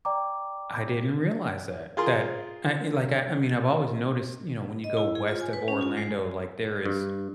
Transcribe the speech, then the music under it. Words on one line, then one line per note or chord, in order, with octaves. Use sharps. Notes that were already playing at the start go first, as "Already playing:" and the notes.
I didn't realize that, that I, like, I I mean, I've always noticed, you know, when you go west of Orlando, like, there is,
D5 G5 A#5 D6
F4 G#4 A#4 C6
D#5
E4
G#4
F4
G#5
B4
C#4
F4
G#3
G2